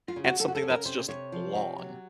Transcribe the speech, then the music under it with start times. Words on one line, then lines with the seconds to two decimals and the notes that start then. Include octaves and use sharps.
and something that's just long.
0.08 F4
0.16 C#3
0.24 F#4
0.39 C#3 A4
0.48 F#4
0.55 A4
0.63 C#4
0.70 A#4
0.85 C3 C5
1.08 C3 C#5
1.32 F3
1.55 C3
1.78 F#3